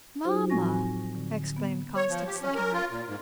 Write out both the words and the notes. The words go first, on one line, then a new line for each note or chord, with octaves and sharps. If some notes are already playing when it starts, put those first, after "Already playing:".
"Mamma!" exclaimed Constance looking up.
F#3 D#4 F4 F#4 C5
A2 F3 C4 G#5 C#6 A#6
D3
B3
C#5
F3
G4
C#4
A#4
F4
A#2
G#2